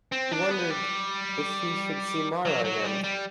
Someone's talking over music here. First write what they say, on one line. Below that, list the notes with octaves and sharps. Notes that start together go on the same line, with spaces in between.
He wondered if he should see Mara again.
C4
D4
B3
G3
F#3
F#3
G3
G3